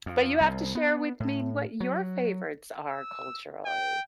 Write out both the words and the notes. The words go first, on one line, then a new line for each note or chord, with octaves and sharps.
But you have to share with me what your favorites are, culturally.
F2
C2
B3
A2
F#3
E6
G5